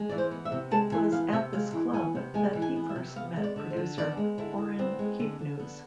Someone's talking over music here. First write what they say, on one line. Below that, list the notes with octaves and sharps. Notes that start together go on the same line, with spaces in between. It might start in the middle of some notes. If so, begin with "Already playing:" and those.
It was at this club that he first met producer Orrin Keepnews.
Already playing: G#3
E3 D5
C5
B3
E5
C3
G#3 A5
E3 G#5
B3 F5
C3 E5
G#3 F5
E3
B3 G#5
C3
G#3 G#5
E3
G#5
B3
E5
C3
B3 F5
G#3
D5
D3
C5
D3
B3 D5
G#3
D3 E4
D3
B3 C4
G#3
D3
D3
B3